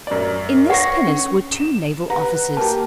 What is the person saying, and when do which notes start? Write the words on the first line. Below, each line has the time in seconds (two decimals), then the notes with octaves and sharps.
In this pinnace were two naval officers.
0.07 F#2 D5
0.70 C#5 F#5 C#6 A#6
1.07 C#4
1.52 E7
2.10 B4 F#5 A#5
2.57 A#3 G4 A5